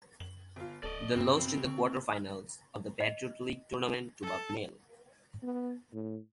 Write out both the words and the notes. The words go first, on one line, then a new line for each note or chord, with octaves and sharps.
They lost in the quarterfinals of the Patriot League Tournament to Bucknell.
F#2 F#7
G1 F4
D1 A4 D5 D#5
F#1 C#2 G2 B2 C4
D3 C#6
D#5
A4 A5
B3
A2